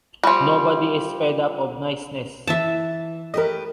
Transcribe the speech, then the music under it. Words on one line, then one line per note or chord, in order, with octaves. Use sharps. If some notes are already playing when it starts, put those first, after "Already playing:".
Nobody is fed up of niceness.
F3 G3
E3 E5 A5
A3 G4 A#4 B4 D#5